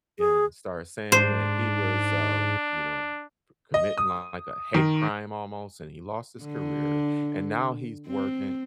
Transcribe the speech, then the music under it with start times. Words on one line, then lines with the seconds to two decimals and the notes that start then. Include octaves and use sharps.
and started saying that he was, um, you know, p committing, like, a hate crime almost, and he lost his career and now he's working
0.19 G#4
1.12 G#2 D4 C5
3.74 D#5
3.98 D#6
4.75 D#3
6.43 D3
8.07 C4